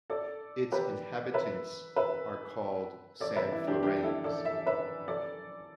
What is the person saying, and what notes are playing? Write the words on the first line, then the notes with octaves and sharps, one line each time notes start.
Its inhabitants are called "Sanflorains".
A4 D5
G4 B4
B4 E5
B4 E5
A4 D5
B4 E5
E4
D4 G4
D4 G4
E4 A4
A4 D5
E5
B4 E5
A4 D5